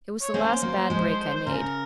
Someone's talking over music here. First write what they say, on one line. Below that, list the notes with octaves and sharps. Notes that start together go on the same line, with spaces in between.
It was the last bad break I made.
C#5
A#3 C#4 G#4 C5
F#3 A#3
F3 G#3
C5
C#3 A#4